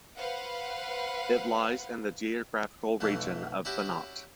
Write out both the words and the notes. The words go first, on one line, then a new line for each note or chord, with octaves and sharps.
It lies in the geographical region of Banat.
B4 C5 F5 F#5
B1 F2 E3 A3
C#4 E4 F#4 G4 C#5